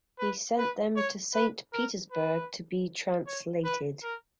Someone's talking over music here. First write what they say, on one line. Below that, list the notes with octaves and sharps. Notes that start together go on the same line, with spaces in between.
He sent them to Saint Petersburg to be translated.
B4
B4
C#5
B4
A#4
B4
C#5
B4
A#4